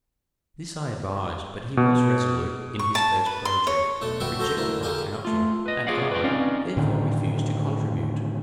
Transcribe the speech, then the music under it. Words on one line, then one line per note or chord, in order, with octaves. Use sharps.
This I advised, but he was resolute in his first project, rejected my counsel, and I, therefore, refused to contribute.
B2
C#6
A5
B4
C6
C#5
B1 A3 D4 A4
D4 F#4 G4 B4 D5 E5
F#4 A4 C5 A#5 C6
D2 A#3 D4 E4
D3 A#3 G4 G#4 F5
A3 F4
B4 D#5
F4 G#4 C#5 D5 F5 F#5
B4 C#5 D5 G5
C4 C#4 D#4 D5 F5
A2 D3 D#3